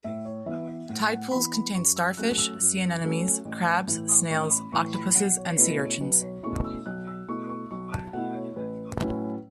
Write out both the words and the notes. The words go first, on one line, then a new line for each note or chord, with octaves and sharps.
Tidepools contain starfish, sea anemones, crabs, snails, octopuses and sea urchins.
A2 E5
C#5
E3 B3 E5
E5
A2 F#5
F#5
E3 B3 B5
B5
F#2 C#6
E6
F#3 A3 C#4 F#6
E6
F#2
F#3 A3 C#4
A1
A2 E3
A1 C#6
B5
A2 E3 C#6
B5
B1 F#5
C#5
B2 A3 C#4 E4 B4
C#5
B1 B4
C#5
B2 A3 C#4 E4 C#6
E6
B1 F#6
E6
B2 A3 E4 C#6
C#6
B1 C#6
A5
B2 A3 E4 F#5
C#5
A1 B4
A2 F#3 C#4 E4 B4